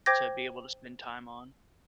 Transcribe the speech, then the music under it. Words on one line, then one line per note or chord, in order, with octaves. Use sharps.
to be able to spend time on.
C5 G5 D6 G6 G#6 A#6